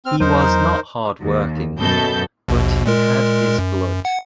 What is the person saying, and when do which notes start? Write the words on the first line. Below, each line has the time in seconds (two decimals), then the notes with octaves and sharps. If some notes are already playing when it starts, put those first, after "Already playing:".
He was not hardworking, but he had his blood.
0.06 C4 F6
0.20 E2 F#3 D#4 A#4 C5
1.21 D#2
1.79 F#2 B2 A4 G6
2.48 A#1 D#2 B2
2.86 A#2 G#3 A#4
3.58 F#2
4.05 F#5